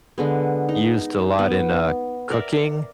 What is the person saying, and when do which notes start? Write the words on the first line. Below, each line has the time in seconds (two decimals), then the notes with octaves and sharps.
used a lot in, uh, cooking,
0.18 D3 G#3 B3
0.69 D#4
1.39 B3
2.30 A#4 D5 E5